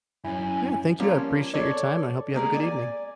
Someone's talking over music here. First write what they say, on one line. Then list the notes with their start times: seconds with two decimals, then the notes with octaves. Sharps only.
Yeah, thank you. I appreciate your time, and I hope you have a good evening.
0.24 F#2 C#4 E4 G#5
0.99 F3 G3 A#3 C#4 F4
1.54 A4 C#5 D5
2.34 G#3 A#3 G4 G#4
2.54 D5 G#5